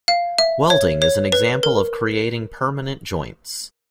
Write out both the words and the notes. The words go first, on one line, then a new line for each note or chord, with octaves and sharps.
Welding is an example of creating permanent joints.
F5
E5
C#5
C#5
B4
A#4